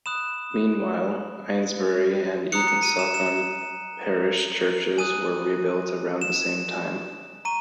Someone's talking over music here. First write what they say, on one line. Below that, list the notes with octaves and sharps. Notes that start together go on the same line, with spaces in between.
Meanwhile, Eynesbury and Eaton Socon parish churches were rebuilt around the same time.
B5 D#6 F#6 E7
A#5 D#6 F#6 C#7
C#7
D#7
E7
E7
F#7
G#5 D#6 F#6 D#7
E7
A#5 C#6 D#7